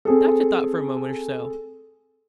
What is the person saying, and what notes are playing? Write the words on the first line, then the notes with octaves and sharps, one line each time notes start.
The doctor thought for a moment or so.
C4 G#4 A4